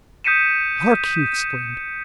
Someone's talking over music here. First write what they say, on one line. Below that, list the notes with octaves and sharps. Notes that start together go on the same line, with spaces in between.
"Hark!" he exclaimed.
D#6 G6 B6 C#7 D#7 E7